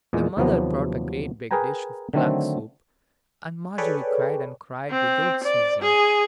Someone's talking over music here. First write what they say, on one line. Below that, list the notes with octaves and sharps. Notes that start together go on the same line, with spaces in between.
The mother brought a great big dish of black soup, and Margery cried and cried without ceasing.
E2 A#2 G#3
D#2 C3 F3 F#3 B3
G#4 A#4 B4 G5 G#5 A#5
D3 D#3 F#3 A3 C4
G#4 A4 B4 C#5 D5 G5
C4
D5
G#4